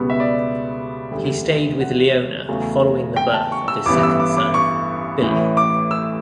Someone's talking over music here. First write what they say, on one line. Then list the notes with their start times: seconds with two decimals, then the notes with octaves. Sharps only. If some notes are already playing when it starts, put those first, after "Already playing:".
He stayed with Leona following the birth of his second son, Billy.
Already playing: C#2 B2 G3 B3
0.10 E5
0.20 D5
1.11 E1 D2 D3 G3
1.80 F#5
2.48 E2 C#3 F#3 A3
3.16 G5
3.34 A5
3.52 C#6
3.68 E6
3.85 A1 G2 E3 B3 D6
4.03 E6
4.20 D6
4.37 D6
4.54 C#6
5.22 A1 A2 E3
5.57 D6
5.91 E6